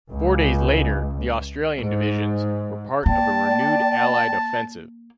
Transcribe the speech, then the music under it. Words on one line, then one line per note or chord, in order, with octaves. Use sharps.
Four days later the Australian divisions were part of a renewed Allied offensive.
C#2
G#2
A#3 D5 G5 A5